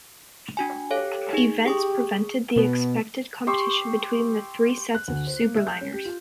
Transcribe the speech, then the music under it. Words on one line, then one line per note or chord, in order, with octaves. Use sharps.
Events prevented the expected competition between the three sets of superliners.
D4 F#4 G#5
G4 A4 C#5 F5
D#4 G#4
G4 G#4 C#6 D#6
B2 B3
G4 C6 C#6 E6
F#6
D2
C5
A#3
E5
G6
C#4
G4
F4